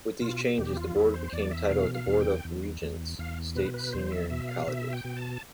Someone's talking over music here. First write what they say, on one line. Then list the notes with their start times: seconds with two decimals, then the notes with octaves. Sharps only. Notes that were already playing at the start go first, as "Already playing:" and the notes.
With these changes, the Board became titled the Board of Regents, State Senior Colleges.
0.21 B2 F4
0.58 E2 G4
0.77 F4
0.96 E2 E4
1.14 C5
1.32 E2 D5
1.51 E5
1.70 B2 F5
1.95 F5
2.07 E2
2.20 G5
2.45 E2
2.82 E2
3.19 E2 F5
3.55 B2 B4
3.74 B4
3.93 E2 C5
4.11 E5
4.30 B2 E5
4.48 F5
4.67 B2 E5
4.93 G5
5.05 B2
5.16 A5